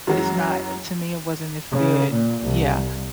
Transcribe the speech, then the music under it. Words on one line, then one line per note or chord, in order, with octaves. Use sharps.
it's not to me it wasn't as good. Yeah,
F#2 E3 F#3 G#3
C#3
A#2
C2